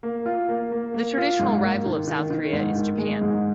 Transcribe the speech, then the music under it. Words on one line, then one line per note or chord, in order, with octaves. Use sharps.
The traditional rival of South Korea is Japan.
A#3
F4
A#3
A#3
A#3
F4
G#2
A#3
D#3
D#3
D#3
G#2
D#3
G#3
G#2